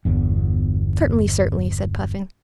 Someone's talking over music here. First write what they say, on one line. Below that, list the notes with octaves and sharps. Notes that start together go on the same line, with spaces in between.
"Certainly, certainly," said Puffin.
G1 E2